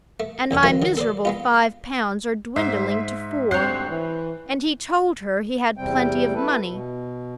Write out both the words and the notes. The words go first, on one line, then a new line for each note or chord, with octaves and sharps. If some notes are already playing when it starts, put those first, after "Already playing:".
And my miserable five pounds are dwindling to four! And he told her he had plenty of money!
A3
E2 D3 A4 G5
D#3 F3 F#3 G#3 A3 B4
D#3 F#3
A4 C5 D5
G#3 B3 F4
G#2 C5 E5
D2 G3 C4 C5 C#5 F#6 C7
E3
E2 C3 G3 C4 G5
E4 A4 B4
B2